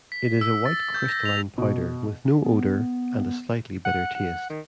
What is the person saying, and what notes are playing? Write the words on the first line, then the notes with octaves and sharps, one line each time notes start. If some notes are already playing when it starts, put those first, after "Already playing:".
It is a white crystalline powder with no odor and a slightly bitter taste.
B6
E6
A6
G6
A#6
F7
B2
B3
F#5
F#5
D#3